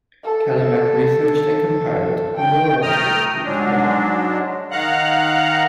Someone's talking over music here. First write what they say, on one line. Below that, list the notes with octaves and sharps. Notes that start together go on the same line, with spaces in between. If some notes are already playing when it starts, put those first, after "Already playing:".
Calimach researched and compiled homoerotic Greek myths.
A4
G5
A3 G5 A#5 D#6 F6
G#2 F#3 G#3 D4
D#3 F5 F#5 A#5 F#6